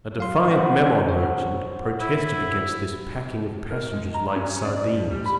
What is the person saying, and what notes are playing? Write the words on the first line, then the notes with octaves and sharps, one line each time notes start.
A defiant Memon merchant protested against this packing of passengers like sardines.
F#3 F5 C6
C5 F#5 B5
C#5
E4
A#4
G#3
A#5
C#4
D5
F3
G3
B5